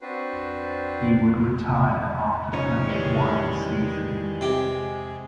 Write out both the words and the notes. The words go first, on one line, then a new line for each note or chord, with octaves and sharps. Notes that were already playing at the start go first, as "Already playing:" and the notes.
He would retire after playing one season.
C4 D4 F#4 B4 C5
C#3 F3 C#4 D#4
D#3 E3 G3 G#3
C3 G4 G#4